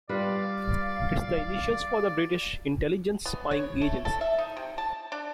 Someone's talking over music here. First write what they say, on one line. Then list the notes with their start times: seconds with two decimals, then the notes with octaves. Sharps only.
It's the initials for the British intelligence spying agency.
0.09 G3 F4 B4 D5 F5
3.25 B3
3.51 C#5
3.81 A3
4.05 A4
4.21 E5
4.38 D#4
4.57 C3
4.78 A5
5.12 D4